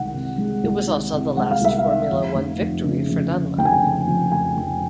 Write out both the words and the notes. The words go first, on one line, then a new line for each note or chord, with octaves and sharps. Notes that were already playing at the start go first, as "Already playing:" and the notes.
It was also the last Formula One victory for Dunlop.
Already playing: C2 C3 D#3 G#3 F#5
C3
G#3
C2
D#3
C3
G#3 F#5
F5
C2 E5
F5
D#3
F2
F1
F1
C#3
F2
F1
F1 G5
G#5
G5
C#3
F2
F1 G#5
F1